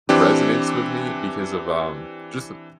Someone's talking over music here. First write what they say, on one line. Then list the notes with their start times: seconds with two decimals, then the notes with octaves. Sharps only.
resonates with me because of, um, just, uh
0.09 E3 C4 D4 G4